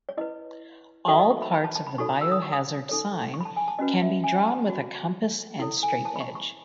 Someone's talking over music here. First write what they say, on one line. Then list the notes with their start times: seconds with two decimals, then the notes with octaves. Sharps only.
All parts of the biohazard sign can be drawn with a compass and straightedge.
0.09 C#5
0.17 E4 B4 D#5
1.08 D#4 F#4 A4 C#5 E5
1.19 D#5
1.30 C#6
1.42 B5
1.54 B5
1.64 A5
1.75 A5
1.87 B5
1.98 D#4 F#4 A4 C#5 C#6
2.21 E6
2.32 D#6
2.42 C#6
2.52 D#6
2.89 D#4 A4 C#5
3.34 C#6
3.41 B5
3.45 A5
3.56 G#5
3.68 A5
3.79 C#4 F#4 B4 D#5
4.02 E5
4.24 G#5
4.47 A5
4.70 F#4 C#5
5.60 E4 A4 C#5
5.83 G#5
6.05 A5
6.16 B5
6.21 C#6
6.35 C#6